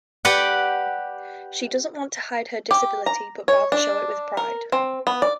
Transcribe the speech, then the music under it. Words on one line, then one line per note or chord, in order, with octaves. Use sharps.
She doesn't want to hide her disability but rather show it with pride.
G4 B4 D5 F#5 G5
G4
A#5
C#5
D4
A#4
C4
B3
D5